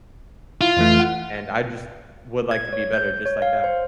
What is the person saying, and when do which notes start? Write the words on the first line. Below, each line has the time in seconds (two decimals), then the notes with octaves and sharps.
and I just would like to be better just like that.
0.61 E4 F4
0.77 F2 E3 A3
1.00 F#5
2.51 G#6
2.73 C#5
2.93 G6
3.26 C#5
3.42 F5
3.64 C5